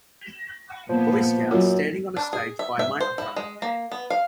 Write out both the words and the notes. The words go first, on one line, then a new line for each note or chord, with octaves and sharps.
Boy Scouts standing on a stage by a microphone.
A#2 F3 B3
F#2 F#3 F4
D4
G#4
E5
E5
C5
E4
G#3
A#3
B3
F5